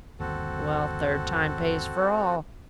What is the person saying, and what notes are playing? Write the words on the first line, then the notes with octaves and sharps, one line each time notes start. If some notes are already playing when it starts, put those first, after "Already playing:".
'Well, third time pays for all.
G1 D#2 C4 F#4 A4